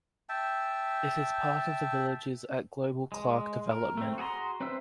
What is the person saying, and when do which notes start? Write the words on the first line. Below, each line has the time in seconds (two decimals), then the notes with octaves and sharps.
It is part of The Villages at Global Clark development.
0.29 E5 G5 A5
3.12 G#3
3.71 A#4
3.97 A3 C4
4.18 F#4 G#4 B4 A#5 C6
4.60 C4 B4 C5 E5 E6